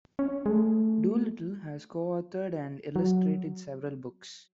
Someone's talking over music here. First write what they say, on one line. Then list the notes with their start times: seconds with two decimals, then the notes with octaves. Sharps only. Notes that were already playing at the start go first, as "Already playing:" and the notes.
Doolittle has also co-authored and illustrated several books.
0.19 C#4
0.46 G#3
0.50 A3
2.96 F#3